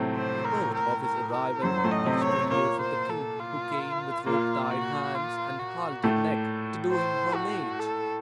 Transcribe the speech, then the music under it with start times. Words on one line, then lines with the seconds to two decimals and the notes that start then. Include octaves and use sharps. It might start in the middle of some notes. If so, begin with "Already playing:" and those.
Report of his arrival reached the ears of the king, who came with rope-tied hands and haltered neck to do him homage.
Already playing: A2 C3 F#3 A3 C4
0.16 C5
0.45 A#4
0.74 A#4
1.03 A#4
1.33 A#4
1.62 F#2 F#3 C5
1.77 F#3
1.84 A2 A3
1.92 D#5
2.06 C3 C4
2.22 C#5
2.29 C3 C4
2.50 A#2 A#3 C#5
2.81 C5
3.10 A4
3.39 F4
4.26 A#2 A#3 F4
4.71 F#4
5.15 F4
5.59 F#4
6.04 A2 A3
6.92 C5
7.35 F#4
7.79 A4